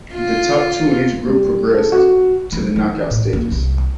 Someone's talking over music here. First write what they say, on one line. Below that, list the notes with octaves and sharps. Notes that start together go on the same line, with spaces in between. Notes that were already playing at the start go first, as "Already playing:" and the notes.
The top two in each group progressed to the knockout stages.
F4
G3
A4
F#4
F#3
E3
A2
A#3
C2